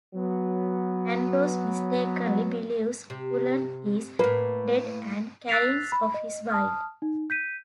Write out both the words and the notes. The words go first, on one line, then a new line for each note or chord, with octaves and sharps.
Andros mistakenly believes Cullen is dead and careens off his bike.
F#3 B3
C3
A2 A#3 B4
E6 F#6 A6 B6 C7 F7
B5
D#5
A5 D#6 F6
D#4
G6 B6 D#7